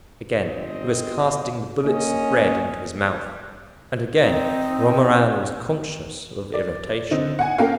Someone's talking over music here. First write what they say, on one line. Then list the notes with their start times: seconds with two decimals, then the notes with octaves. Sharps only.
Again he was casting the bullets of bread into his mouth, and again Romarin was conscious of irritation.
0.42 G1 C4 D#5
1.85 A#3 C#4 D#5
4.17 C4 D#4
6.54 D5
7.11 D3 C4 D#4
7.39 F#5 G#5
7.58 A#3 C#4 A4 A#4 F5 G5